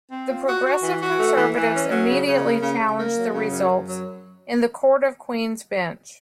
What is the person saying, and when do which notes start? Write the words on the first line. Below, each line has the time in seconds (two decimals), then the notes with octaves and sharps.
The Progressive Conservatives immediately challenged the results in the Court of Queen's Bench.
0.12 C4
0.28 F4
0.47 F#4
0.65 F#4
0.82 E3
1.01 F#4
1.19 A3
1.37 E3
1.55 E3
1.73 C#4
1.90 F#3
2.09 C#3
2.27 C#3
2.44 A#3
2.62 C#3
2.80 C#3
2.98 A#3
3.16 F#3
3.33 C#3
3.52 F#2
3.70 F#2
3.87 F#3